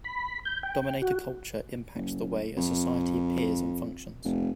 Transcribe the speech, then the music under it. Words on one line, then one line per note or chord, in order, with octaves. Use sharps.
Dominator culture impacts the way a society appears and functions.
B5
G6
G5
F#4
F#1
F2
F1